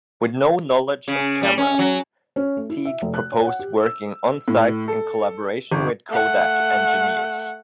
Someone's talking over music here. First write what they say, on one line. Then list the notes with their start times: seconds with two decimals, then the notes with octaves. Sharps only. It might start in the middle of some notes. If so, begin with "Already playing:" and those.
With no knowledge of cameras, Teague proposed working on-site in collaboration with Kodak engineers.
1.08 C#3
1.42 G3
1.58 C#4
1.79 F#3
2.36 C#4
2.57 A3
2.70 E4
2.85 E5
3.02 F1
3.14 F#6
3.32 C#5
3.47 F#5
3.59 G4
3.83 E6
4.48 A2
4.88 A4
5.72 G1
6.09 A3 F#5